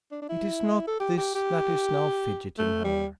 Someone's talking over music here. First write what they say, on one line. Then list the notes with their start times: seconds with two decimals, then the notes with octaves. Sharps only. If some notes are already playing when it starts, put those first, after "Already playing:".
It is not this that is now fidgeting her.
0.11 D4
0.22 D4
0.29 E4
0.87 A4
1.00 G4
1.17 G4
1.35 G4
2.58 A3
2.84 G3